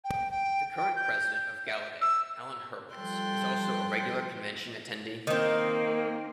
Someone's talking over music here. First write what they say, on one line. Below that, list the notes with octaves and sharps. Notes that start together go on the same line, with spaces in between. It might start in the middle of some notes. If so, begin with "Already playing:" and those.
The current president of Gallaudet, Alan Hurwitz, is also a regular convention attendee.
G5
G5
G5
G6
E5
E6
F3 G3 A4 G5 C6 F#6
D#3 A#3 C4